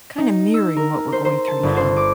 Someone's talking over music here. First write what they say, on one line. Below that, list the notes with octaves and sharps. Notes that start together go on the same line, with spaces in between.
kinda mirroring what we're going through now,
D#4
E6
A#4
C5
C5
A5
G1
C5
D6